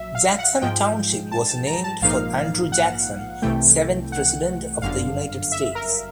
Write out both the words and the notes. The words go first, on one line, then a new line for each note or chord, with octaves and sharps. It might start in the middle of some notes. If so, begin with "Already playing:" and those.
Jackson Township was named for Andrew Jackson, seventh President of the United States.
Already playing: A#1 F#3 E5
F5
F#5
G#2 F3 G#3 G5
A5
A5
A#5
A5
A#1 G#2 F3 A#3 D#4 F5
F#5
C2 C3 E3 A3 G5
F#5
G1 F#2 D3 F5
E5
A#4